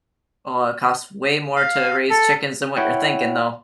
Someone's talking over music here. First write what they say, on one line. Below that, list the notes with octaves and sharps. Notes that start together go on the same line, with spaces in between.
Oh, it costs way more to raise chickens than what you're thinking though.
F5
A4
E4 C#5 F#5 G5